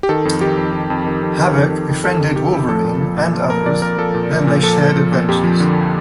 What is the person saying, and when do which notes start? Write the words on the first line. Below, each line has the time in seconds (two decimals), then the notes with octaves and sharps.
Havok befriended Wolverine and others, then they shared adventures.
0.03 G4
0.09 D#3 A4
0.25 F2
0.41 D#3 G4
0.57 F2
0.74 D#3
0.90 F2
1.06 D#3
1.23 F2
1.39 D#3
1.55 F2
1.71 D#3
1.88 F2
2.04 D#3 A4
2.20 F2
2.36 D#3 G4
2.52 F2
2.69 F3 A4
2.85 A#2
3.01 F3
3.17 A#2
3.33 F3
3.50 A#2 A#4
3.66 F3 D5
3.82 A#2 A#4
3.98 F3 A4
4.14 A#2
4.31 F3
4.47 A#2
4.63 F3 A4
4.80 A#2
4.96 F3
5.12 A#2
5.29 F2 G4
5.44 F3
5.60 D3